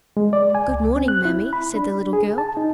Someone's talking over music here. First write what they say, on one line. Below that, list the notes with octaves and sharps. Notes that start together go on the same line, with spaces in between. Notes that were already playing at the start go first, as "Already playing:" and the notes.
"Good morning, mammy," said the little girl.
G#3
D5
G#5
C#2
C4
F#6
E4
B5
D4
G#4
A5
D#4